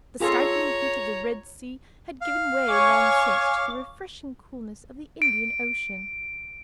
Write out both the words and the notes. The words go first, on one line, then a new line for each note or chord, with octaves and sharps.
The stifling heat of the Red Sea had given way long since to the refreshing coolness of the Indian Ocean.
F4 G#4 A4 C#5 A#5
F5
C#5 G#5 C#6 D6
D7